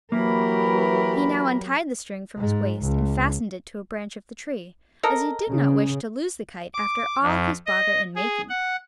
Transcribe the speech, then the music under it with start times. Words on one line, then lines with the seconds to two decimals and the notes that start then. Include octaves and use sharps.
He now untied the string from his waist and fastened it to a branch of the tree, as he did not wish to lose the kite after all his bother in making it.
0.12 E3 F#3 A#3 G4 A#4 B5
2.38 G#2
2.82 C#2
5.03 A4 A#4 D#5
5.50 C#3
6.74 D6
7.22 F2
7.66 D#5
8.16 G#4
8.49 F#5